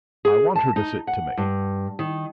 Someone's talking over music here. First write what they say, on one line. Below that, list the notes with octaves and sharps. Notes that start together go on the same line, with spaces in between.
I want her to sit to me.
G#4
A5
D#4
F#5
G2
D#3